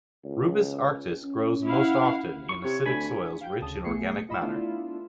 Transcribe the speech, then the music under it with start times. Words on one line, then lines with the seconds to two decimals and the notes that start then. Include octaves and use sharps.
"Rubus arcticus" grows most often in acidic soils rich in organic matter.
0.24 C#2
1.23 C#4
1.67 E4 F5 F#5
2.49 C#6
2.64 C3 C#5
2.86 D2 G#5 B5
3.41 F5 G5 G6
3.62 D2 C#3 A5 D#6
3.84 B1 A3 B3 G#4 C7 C#7
4.28 F4 D#5 B5 E7
4.42 A3 B3 D4 E4 F4